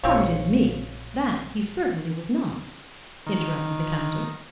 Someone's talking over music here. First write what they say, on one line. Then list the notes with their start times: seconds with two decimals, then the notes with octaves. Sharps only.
"Pardon me, that he certainly was not," interrupted the Countess.
0.04 A#1 C4 C#5 F5
3.26 D#3